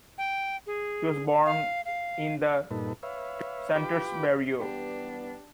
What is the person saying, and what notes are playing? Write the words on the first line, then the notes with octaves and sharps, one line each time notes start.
He was born in the Santurce barrio.
G5
G#4
F5
F5
G2 A#2 D#4 A4 B4
B4 C#5 E5 F5
F4 G4 B4 G5 B5 D6
E3 G3 B3 D4 G4